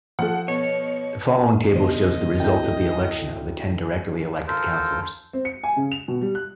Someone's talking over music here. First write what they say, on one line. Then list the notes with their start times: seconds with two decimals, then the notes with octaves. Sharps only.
The following table shows the results of the election of the ten directly-elected councillors.
0.19 F3 A4 F#5
0.48 B2 C#5
1.72 B2 D3 C5 D#5
2.40 D2 C4 E4 A4 G5 G6
4.48 F4 A4 A#4 C5
5.33 C4
5.45 C#7
5.63 G#5
5.76 C#3
5.92 F7
6.08 B2
6.21 G3
6.35 F#6